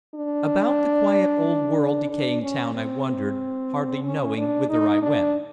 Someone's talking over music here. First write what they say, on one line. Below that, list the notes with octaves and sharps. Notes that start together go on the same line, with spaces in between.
About the quiet, old-world decaying town I wandered, hardly knowing whither I went.
D4
D4
C#4
C4
C#4
D4
D#4
D4